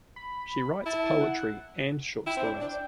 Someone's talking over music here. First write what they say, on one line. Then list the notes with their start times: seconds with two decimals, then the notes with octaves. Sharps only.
She writes poetry and short stories.
0.16 B5
0.86 E4 A5
1.21 F#5
2.27 E4 G5
2.37 C4
2.44 D4
2.61 D4 G5